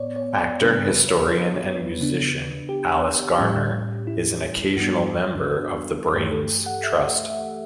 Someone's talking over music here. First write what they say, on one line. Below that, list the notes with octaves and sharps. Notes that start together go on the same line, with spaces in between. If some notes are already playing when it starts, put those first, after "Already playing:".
Actor, historian and musician Alice Garner is an occasional member of the Brains Trust.
Already playing: A2 B3 C#5 D5
C#5
D5
C#3 G3 B3 D4 B4
B4
C#5
B4
C#3 E3 B3 D4
G4
A2 G3 C#4
E4
G2 E3 G3 B3 D4 F#4
G2 E3 A3 G4
A4
F#5
E5
E5